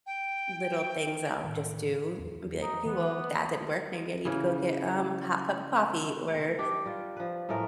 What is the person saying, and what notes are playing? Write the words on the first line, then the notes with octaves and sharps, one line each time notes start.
little things that I'll just do and be, like, "Okay, well, if that didn't work, maybe I need to go get, um, a hot cup of coffee or,
G5
A2 D#3
E2
D#4
E3 B3
C#3 E3
D4 G4
G3 F4
F3 B4
A2 G#3 A3 A#4